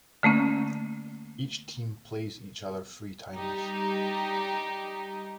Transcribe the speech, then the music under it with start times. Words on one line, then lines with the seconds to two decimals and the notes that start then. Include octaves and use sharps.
Each team plays each other three times.
0.23 D3 A3 A#3 C#4
3.34 G3 D#4 G4